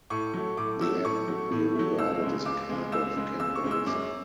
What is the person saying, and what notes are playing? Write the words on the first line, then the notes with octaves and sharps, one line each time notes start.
The act would be regarded as a kind of cannibalism.
A2 C#6
F#3 A3
A2 D6
F#3 A3 E6
A2 C#6
F#3 A3
A2
F#3 A3
C#2 E6
C#3 G#3
C#2 D6
C#3 G#3
C#2 E6
C#3 G#3
C#2 E6
C#6
C#3 G#3
E6
F#2 D6